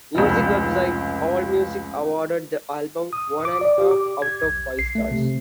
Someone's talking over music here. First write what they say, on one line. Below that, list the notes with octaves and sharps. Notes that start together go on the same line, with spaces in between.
Music website AllMusic awarded the album one and a half out of five stars.
F1 C#2
D#6
D6
D5
G4
D6
G#6
B1
C7
A3
C3